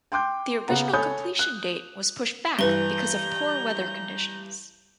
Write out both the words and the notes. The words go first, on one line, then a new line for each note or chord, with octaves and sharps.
The original completion date was pushed back because of poor weather conditions.
G5 C6 D6 G6
C#3 B3 F#5 A#5
A4 C#5 G#5 B5 D#6 G6
F#6
G2 E3 B4 A#5 G6 G7